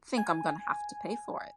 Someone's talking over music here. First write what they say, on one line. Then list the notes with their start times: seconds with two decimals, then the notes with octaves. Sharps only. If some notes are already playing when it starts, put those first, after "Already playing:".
Think I'm gonna have to pay for it.
0.18 G#5